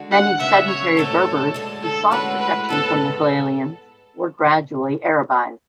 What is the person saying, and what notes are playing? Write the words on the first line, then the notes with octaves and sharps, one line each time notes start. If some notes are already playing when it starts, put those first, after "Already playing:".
Many sedentary Berbers who sought protection from the Hilalians were gradually Arabized.
Already playing: D3 G#3 D4 F#4
F#5
D2 C#3 G#3 B3 E5
C#5
G#2 F#3 A3 A4
D2 D3 G#3
A4
A2 G#3 C#4 F#4 B4
B4
G#2 G#3 B3 A4